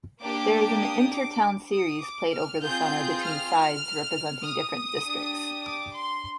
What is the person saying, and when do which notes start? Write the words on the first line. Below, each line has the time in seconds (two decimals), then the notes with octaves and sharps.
There is an InterTown Series played over the summer between sides representing different districts.
0.21 A#3 D4 G4 D6
0.81 D#6
1.11 D6
1.72 D#6
2.01 D6
2.32 F6
2.62 C4 F4 G#4 G6
3.22 F6
4.43 D#6
5.04 D4 G4
5.64 D6
5.94 C6